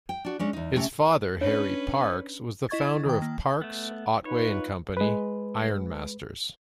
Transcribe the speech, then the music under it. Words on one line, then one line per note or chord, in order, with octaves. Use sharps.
His father, Harry Parkes, was the founder of Parkes, Otway and Company, ironmasters.
G5
D4 F#4
G#3 C#4 D4
E2 D#4
C3 A3 C#4
C#4 D4 B4 C#5
E4 D#5 C#6 G#6 A6
D#3 G5
A#3
A3 B3
D#4 F4 B4 C#5
G#3 B4